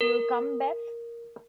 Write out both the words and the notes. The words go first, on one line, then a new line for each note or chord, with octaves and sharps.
You'll come, Beth?
A#4